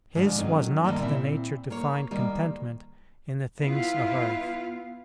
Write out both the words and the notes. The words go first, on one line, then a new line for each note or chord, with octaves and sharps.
His was not the nature to find contentment in the things of earth.
G#2 D3 F3 D4
D#3 F#3 A3 C4 C#4 D#4
D3 D#3 F#3 G3 A#3
A#2 C4 E4 E5
A#3 C#5
D#3 G3 A#3
B3 E4 F4 F5